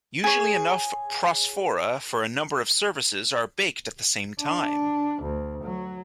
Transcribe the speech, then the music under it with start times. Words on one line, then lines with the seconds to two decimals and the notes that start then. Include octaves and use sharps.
Usually enough prosphora for a number of services are baked at the same time.
0.24 G#4 C#5
4.40 D4
5.22 D2
5.63 F#3